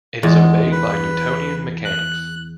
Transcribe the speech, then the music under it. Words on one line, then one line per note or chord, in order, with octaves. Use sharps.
It is obeyed by Newtonian mechanics.
E2 G#3
B4
F#6